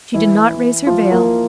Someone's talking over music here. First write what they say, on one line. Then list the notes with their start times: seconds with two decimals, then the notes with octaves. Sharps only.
She did not raise her veil.
0.14 E3 E4
0.87 F3 F4
1.11 A#3 A#4